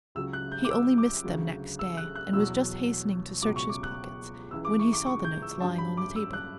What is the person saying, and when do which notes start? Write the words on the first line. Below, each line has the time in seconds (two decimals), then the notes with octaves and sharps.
He only missed them next day, and was just hastening to search his pockets when he saw the notes lying on the table.
0.15 C#2 C#3 F#3 E6
0.33 F#6
0.52 G6
0.65 D6
0.71 E6
0.98 D6
1.24 D2 C#3 F#3
1.79 E6
1.97 F#6
2.15 F#6
2.33 E2 B2 F#3 E6
3.42 C#2 B2 F#3 D6
3.56 C#6
3.69 D6
3.83 F#6
4.51 C#2 C#3 E3 E6
4.65 D6
4.79 C#6
4.93 D6
5.06 C#6
5.24 G6
5.42 E6
5.60 G2 F#3 A5
5.78 B5
5.97 D6
6.16 E6
6.33 F#6